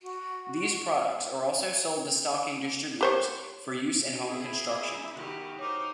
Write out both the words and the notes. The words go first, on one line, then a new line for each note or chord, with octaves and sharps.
These products are also sold to stocking distributors for use in home construction.
F#4
G4 C5 C#5
E4 G#4
D#3 F#4 G4
D#4 A#4 C5 C#5 D6